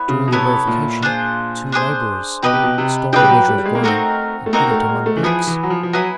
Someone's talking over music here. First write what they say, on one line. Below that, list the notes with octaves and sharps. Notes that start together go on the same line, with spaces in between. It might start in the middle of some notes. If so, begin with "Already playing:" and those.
During the verification two laborers stole a measure of grain and hid it among bricks.
Already playing: B3 E4 C#5
C#3
B2
C3 B3 E4 A4 C#5
A#2
D4 F4 G#4 C5
D4 F4 G#4 C5
B2 G4 B4 D#5 G5
C3
B2
C3
C#3 G4 B4 D#5 G5
G3
F#3
G3
G3
G#3
A#3
A3 C4 D#4 F#4 A#4
A3
A#3 C4 D#4 F#4 A#4
A3
G#3
A3
E3
F3 B3 E4 G#4
E3
F#3
F3
F3
F#3 B3 E4 G#4